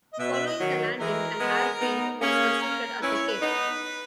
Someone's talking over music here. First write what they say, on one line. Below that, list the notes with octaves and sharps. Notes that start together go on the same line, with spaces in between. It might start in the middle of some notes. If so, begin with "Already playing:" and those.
Following the landing, an airfield was constructed at the cape.
D#5
B2 E5
E5
D#5
D#3 F#3
E3 G#3 A#4
G#3 B3
B3 D#4
A#3 C#4 G#4
A#4
C#4 E4 B4
C#5
B4
B3 D#4